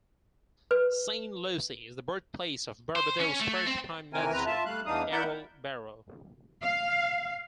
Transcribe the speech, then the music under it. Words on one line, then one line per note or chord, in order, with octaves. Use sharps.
Saint Lucy is the birthplace of Barbados's first Prime Minister, Errol Barrow.
B4
C5
C#4
A3
C4
C3 D#3 E3 C4 A#4 G#5
E2 C4 B4 A#5
F4 E5 A5
G3 A3 F5 F#6
E2 E3 D4 D#4 F5 D#6
E4 A#4 D5 E5 F#5 G6
F5